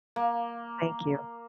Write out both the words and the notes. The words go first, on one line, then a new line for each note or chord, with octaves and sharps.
Thank you.
A#3